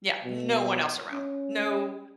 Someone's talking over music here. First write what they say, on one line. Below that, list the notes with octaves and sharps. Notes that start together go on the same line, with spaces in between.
Yeah, no one else around. No
B2
C#4